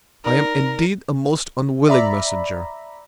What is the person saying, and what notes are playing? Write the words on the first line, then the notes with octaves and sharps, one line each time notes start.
I am indeed a most unwilling messenger.
D#4 A#4 D5
D5 E5 A#5 B5